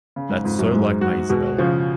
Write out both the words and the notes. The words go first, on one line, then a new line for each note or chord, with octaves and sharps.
That's so like my Isabella!
C#3
G#2
F2 G#2
F#2
G#2 G#3
F#4
B2 G#3
C#3 F3